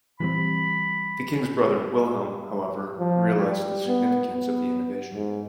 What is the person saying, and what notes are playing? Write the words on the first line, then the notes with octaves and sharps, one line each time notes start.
The king's brother Wilhelm, however, realized the significance of the innovation.
E3 G3 C4 B5
F3
G3
B3
B3
G#2